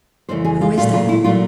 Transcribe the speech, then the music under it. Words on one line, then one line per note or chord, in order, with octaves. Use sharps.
"Who is that?"
F2 C#3 E3 A3 C5
G#4
F4
A#2 F#3 A3 F4
F4
E4
A#2 F#3 A3 F4